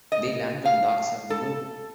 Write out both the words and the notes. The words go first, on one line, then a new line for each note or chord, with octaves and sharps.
They landed on the dark side of the moon.
D#5
F5
A4